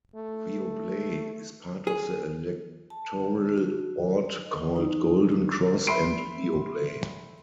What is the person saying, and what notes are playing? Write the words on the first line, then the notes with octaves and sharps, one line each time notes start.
Weobley is part of the electoral ward called Golden Cross and Weobley.
A3
G#4
A5
F#4
D#5
D#4
E5 B5 C6 C7 D7